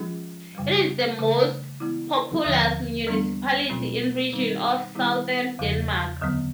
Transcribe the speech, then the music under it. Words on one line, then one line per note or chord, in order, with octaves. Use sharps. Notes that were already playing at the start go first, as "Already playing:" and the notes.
It is the most populous municipality in Region of Southern Denmark.
Already playing: F3 G#3 C#4 F4 G#4
F#2 C#3 E3 G3
C#3 E3 A3
E3 G#3 B3 E4
D#2 D3 F3
E3 G3 B3 D4
B2 F#3 A3 C4 F4
D#3 G3 C4 D#4
D#3 G3 B3 E4 G#4
E2 C#3 F3 G#3
D2 D3 F#3 B3